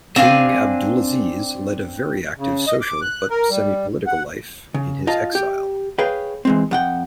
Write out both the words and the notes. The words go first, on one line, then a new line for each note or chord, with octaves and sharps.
King Abdulaziz led a very active social, but semi-political life in his exile.
C4 D4 F5 G#5
C#3
D#5
D6
F#6
A#4
G3
F#5
C#3
F4 D#5 F5 A5
G4
G#4 B4 C#5 F5 G5
E3 G#3 C4
F2 F#5 G5